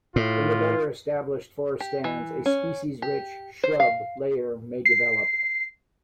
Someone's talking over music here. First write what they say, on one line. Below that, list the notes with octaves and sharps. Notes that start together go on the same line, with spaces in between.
In the better established forest stands, a species-rich shrub layer may develop.
A2 F4
G4
E3
C#4
G4
C5
F5
C7